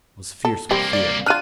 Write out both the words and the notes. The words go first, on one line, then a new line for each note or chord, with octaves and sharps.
I was fierce with fear.
A4
C2 G3 A#3 C4
D5
D4 F4 F6 F#6 D#7